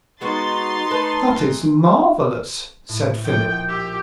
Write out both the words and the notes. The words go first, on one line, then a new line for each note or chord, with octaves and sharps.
"That is marvelous!" said Philip.
G#3 B3 D#4 F#4 C6 A6
A3 A4 B4
E3
A2
A#1 G5
G4 E6